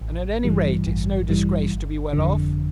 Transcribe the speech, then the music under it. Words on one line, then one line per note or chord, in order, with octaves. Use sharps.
'And at any rate, it is no disgrace to be well off.'
A1
G2 E3 G3
A1
G2 E3 G3
G1
F2 D3